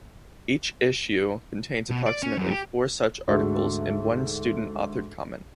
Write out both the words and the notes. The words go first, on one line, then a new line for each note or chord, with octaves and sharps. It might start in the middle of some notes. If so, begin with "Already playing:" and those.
Each issue contains approximately four such articles and one student-authored comment.
B2
D5
C#4
F#2
G4
D2 G#2 F#4 A4 E5